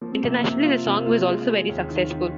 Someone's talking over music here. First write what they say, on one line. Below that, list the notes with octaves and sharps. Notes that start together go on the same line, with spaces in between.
Internationally, the song was also very successful.
F3 A#3
C4
C3 A#3
C3
F4
C3
F4
G#3
G#3
D#2
D#3
D#3